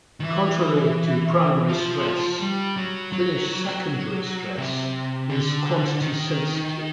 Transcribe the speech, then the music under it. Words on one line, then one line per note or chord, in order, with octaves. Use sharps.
Contrary to primary stress, Finnish secondary stress is quantity sensitive.
D#3
E3
F3
G3
F#3
F#3
C3
D3
D#3